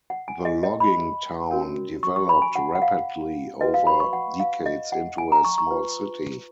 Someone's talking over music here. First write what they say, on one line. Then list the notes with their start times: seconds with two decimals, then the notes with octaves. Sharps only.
The logging town developed rapidly over decades into a small city.
0.10 F#5
0.28 G#5
0.45 D#5
0.63 D#5
0.80 B5
1.51 C#4 F#4 A#4 C#5
2.03 C#6
2.16 C#6
2.29 B5
2.42 G#5
2.56 F#5
2.75 F#5
2.82 F5
3.61 F#4 B4 D#5
3.74 F5
3.87 B5
4.00 C#6
4.13 F#5
4.40 F5
4.66 D#5
4.92 F#5
5.18 G#5
5.32 A#5
5.45 C#6
5.58 C#6
5.71 F4 B4